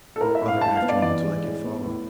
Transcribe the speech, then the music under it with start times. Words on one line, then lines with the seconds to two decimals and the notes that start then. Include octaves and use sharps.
Other afternoons like it followed.
0.16 A4
0.21 A2 A#4
0.35 E5
0.41 A2
0.48 F5
0.61 A2 A5
0.76 F5
0.82 B3
0.89 D5
1.02 E3 D5
1.22 G#3
1.43 A2
1.64 B3
1.84 A2